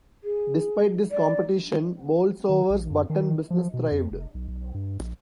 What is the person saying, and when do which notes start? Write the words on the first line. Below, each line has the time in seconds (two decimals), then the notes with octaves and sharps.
Despite this competition, Boulsover's button business thrived.
0.24 G#4
1.11 D5
2.49 D#3
2.70 A#1
2.91 F#2
3.10 D#3
3.50 F3
3.74 B2
3.92 F2
4.11 F1
4.34 B1
4.48 B1
4.74 G2
4.99 A#1